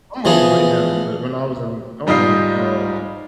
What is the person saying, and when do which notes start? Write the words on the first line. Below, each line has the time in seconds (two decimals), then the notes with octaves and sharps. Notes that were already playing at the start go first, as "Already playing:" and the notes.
I'm overweight now, but when I was in I was in, um,
0.25 E3 F3 B3 G#4
2.07 G#2 G3 D#4 F4 D#6 C7